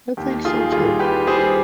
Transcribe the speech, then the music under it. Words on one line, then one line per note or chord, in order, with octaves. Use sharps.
I think so too.
D#2 G4
D#3 F4 G#4
G3 F4 G#4
G3 G4 B4
G3 G#4 C5